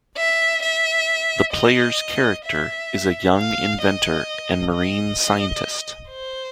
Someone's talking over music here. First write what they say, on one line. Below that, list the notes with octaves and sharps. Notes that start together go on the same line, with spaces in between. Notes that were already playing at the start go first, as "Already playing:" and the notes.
The player's character is a young inventor and marine scientist.
E5
E5
D#5
E5
F5
D#5
D#5
C5